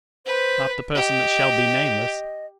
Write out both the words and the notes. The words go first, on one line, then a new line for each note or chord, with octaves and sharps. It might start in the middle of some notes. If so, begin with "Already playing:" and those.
Not the person that shall be nameless.
B4 C5
G4 D#5